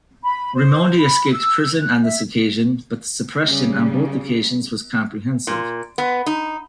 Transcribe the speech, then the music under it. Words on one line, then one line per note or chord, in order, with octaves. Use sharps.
Raimondi escaped prison on this occasion, but the suppression on both occasions was comprehensive.
B5
C5
B5
E6
F#6
E5
C#3 G3
A#2
B3
D#4